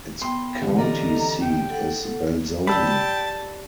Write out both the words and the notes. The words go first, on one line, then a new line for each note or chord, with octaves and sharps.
Its county seat is Belzoni.
B3 G5 C6
C2 D3 E3
D4 A4 D#5 A#5
G5
A4 F#5
G3 D4 G5 A5 B5 E6